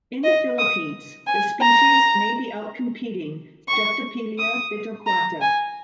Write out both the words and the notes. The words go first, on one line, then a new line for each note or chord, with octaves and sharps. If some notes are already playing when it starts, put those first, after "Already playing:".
In the Philippines, the species may be outcompeting "Streptopelia bitorquata".
D#5
D#6
G#5
A#5
C#6
D#6
A#5
G#5